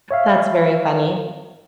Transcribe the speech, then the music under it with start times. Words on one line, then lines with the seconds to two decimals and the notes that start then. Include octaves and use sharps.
That's very funny.
0.11 C#5 E5 F5